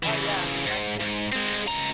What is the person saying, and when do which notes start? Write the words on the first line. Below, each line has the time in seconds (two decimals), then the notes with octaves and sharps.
Oh, yeah. I mean, that g that's, you know,
0.03 C#3 E3
0.66 G#2
1.00 G#2
1.33 G#3 C4
1.68 C#2 A#5